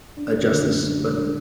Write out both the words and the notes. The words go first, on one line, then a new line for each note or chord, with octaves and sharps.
a justice, but
D4
F#2
D3
D4
D3
G#3
D4